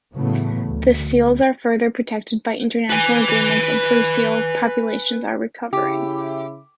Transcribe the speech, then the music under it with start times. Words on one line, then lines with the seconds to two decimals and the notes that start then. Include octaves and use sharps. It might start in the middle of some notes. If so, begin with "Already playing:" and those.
The seals are further protected by international agreements, and fur seal populations are recovering.
0.14 A2 C#3 E3 F#3 A3 B3
0.66 D2
2.90 B4 G#5
5.73 C#3 E4 G4